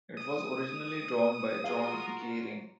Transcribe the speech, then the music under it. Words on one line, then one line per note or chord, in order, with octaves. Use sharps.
It was originally drawn by John Geering.
D#6
F4 F#4 G#4 A#4 F5